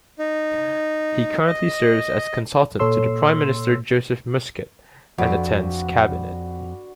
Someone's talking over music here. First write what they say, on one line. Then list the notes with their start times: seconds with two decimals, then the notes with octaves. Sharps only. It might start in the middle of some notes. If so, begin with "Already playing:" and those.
He currently serves as consultant to the Prime Minister Joseph Muscat and attends Cabinet.
0.19 D#4
1.47 D#5
2.79 A#2 A4 C#5 C6 E6
5.18 F2 D4 F#4 B4